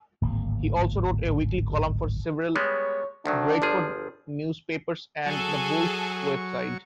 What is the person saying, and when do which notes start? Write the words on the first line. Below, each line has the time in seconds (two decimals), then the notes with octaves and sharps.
He also wrote a weekly column for several Bradford newspapers and the Bulls website.
0.22 D1 G#1 A#3
2.56 G3 G#3 B3 C#5
3.26 D2 D#3 F#3 D4
3.62 G1 F3 G#4
5.26 F#3 G#4 A4 G#5 C#6